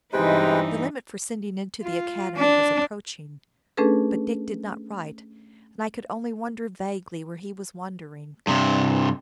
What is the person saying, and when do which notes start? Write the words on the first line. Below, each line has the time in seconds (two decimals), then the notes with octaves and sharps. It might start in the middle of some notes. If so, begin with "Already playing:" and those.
The limit for sending in to the Academy was approaching; but Dick did not write, and I could only wonder vaguely where he was wandering.
0.13 G2 C3 E3 G#3 D#4 B4 D#5 G5
1.83 F4
2.36 D4
3.77 A3 C#4 D4 G#4 A4 B4
8.47 G2 C3